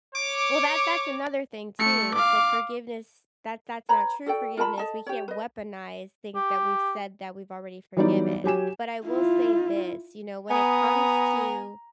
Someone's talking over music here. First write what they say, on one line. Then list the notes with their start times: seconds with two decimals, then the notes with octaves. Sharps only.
Well, that that's another thing too, it's like forgiveness, that that's not true forgiveness, we can't weaponize things that we've said that we've already forgiven. But I will say this, you know, when it comes to
0.15 C#5 D6
1.79 A3 C#7
2.14 F5 D6
3.89 B4 C#5 A#5 B5
4.26 F#4 A4 D5 G5
4.57 F4 A#4 A5 B5
4.78 A4 D#5 A5
5.06 G4 C#5
5.28 B4 D#5
6.36 G4
7.97 E3 F#3 G3 B3 D#4 D5
8.44 F#3 G4 G#5 E7
9.06 E4 F4
10.50 B3 G#5 A#5 B5 D#6